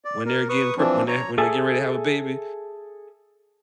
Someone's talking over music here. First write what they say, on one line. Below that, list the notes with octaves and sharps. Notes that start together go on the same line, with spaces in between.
when they're getting pre when they're when they're getting ready to have a baby.
D5
A#4
B4 C#6 D#6
E3 F3 C4 D4
C#5 A#5
G#4 A4 E5 G#5 A5